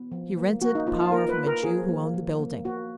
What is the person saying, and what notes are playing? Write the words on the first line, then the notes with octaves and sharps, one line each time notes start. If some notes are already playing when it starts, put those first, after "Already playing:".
He rented power from a Jew who owned the building.
Already playing: B3
F3
A#3
A#3 F#4
D#4
A#3 F4
F4
A#3 A#4
B4
A#3
A#4
F3 G#4
A#3
F3
A#3
A#3 F#4